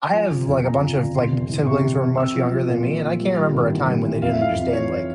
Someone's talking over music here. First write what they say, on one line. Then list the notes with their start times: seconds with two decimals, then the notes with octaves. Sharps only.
I have, like, a bunch of, like, siblings who are much younger than me, and I can't remember a time when they didn't understand, like,
0.13 F3 G#5
0.30 G1
0.47 F2
0.64 F3 A#5
0.81 C#3
0.98 G1
1.15 C3 C6
1.32 E1
1.49 E2
1.66 C3 C#6
1.84 E1
2.00 C3
2.17 C4 E6
2.35 F3
2.52 F3
2.68 A#2
2.86 F3
3.03 A#2
3.20 G3
3.36 G3
3.54 G#1
3.70 E3
3.88 G3
4.05 E3
4.22 F2 F5
4.32 E5
4.39 E3 F5
4.56 F2
4.73 E3 C#5